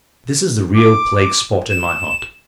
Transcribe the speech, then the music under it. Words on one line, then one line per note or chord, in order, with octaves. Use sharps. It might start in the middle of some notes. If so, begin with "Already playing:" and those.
This is the real plague-spot in my heart.
D6
E7